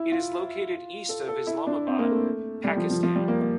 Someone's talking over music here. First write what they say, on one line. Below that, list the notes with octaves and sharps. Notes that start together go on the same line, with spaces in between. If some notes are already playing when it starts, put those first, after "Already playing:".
It is located east of Islamabad, Pakistan.
Already playing: E4
F4
A4
A4
E4
D4
C4
A#3
A3
G3
F3
F3
F3
G3
A#3
A#3